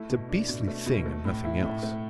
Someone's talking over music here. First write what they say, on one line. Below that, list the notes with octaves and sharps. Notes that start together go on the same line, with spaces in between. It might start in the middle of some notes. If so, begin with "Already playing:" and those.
It's a beastly thing and nothing else.
Already playing: A3 E4
B2
D4
B2
A3
B2
A3
A2
E4
A2
A3